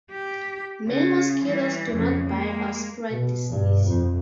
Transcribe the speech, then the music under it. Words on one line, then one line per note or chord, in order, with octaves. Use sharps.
Male mosquitoes do not bite or spread disease.
G4
C#3
E3 G3
F2 C#3
G#3 A#3
B2
G2
F2